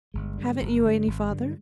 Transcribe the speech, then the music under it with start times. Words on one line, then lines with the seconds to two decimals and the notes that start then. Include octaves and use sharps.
"Haven't you any father?"
0.14 G1 G#3
0.38 G2 D3
0.61 G1
0.83 G2 D3
1.07 G#1
1.29 G2 D3